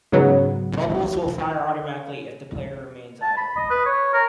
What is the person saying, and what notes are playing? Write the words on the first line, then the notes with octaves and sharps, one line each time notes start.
Bubbles will fire automatically if the player remains idle.
G#2 C#3 F#3 B3
A5
B5
D#5
B4
C#5
A#4